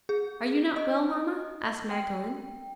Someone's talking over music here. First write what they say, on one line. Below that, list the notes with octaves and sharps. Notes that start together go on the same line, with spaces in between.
"Are you not well, mamma?" asked Magdalen.
G#4
D#5
G5